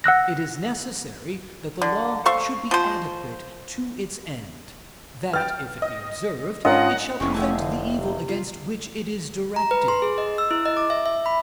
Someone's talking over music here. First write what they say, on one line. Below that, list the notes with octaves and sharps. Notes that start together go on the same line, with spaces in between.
It is necessary that the law should be adequate to its end; that, if it be observed, it shall prevent the evil against which it is directed.
F#5 E6 F#6 A#6
D3
A4 C5 F5 C#6
F3 C5
B4 G5 F6 A6
D#5
G#2 C#4 D4 F4 A#4 C#5 D#5 F#5
F1 E3 G#3 C4 C#4
A3 G#4 A5
D3
C3
F4
A#5
B4
C6
G#4
D#5
E6
E4
D#5
D6
E5
E5
B5